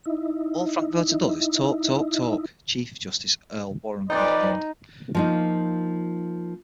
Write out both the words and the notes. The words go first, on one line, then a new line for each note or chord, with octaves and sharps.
"All Frankfurter does is talk, talk, talk," Chief Justice Earl Warren complained.
D#4 E4
F2 A#2 F3 D#4 B4 D5
F3 A#3 D#4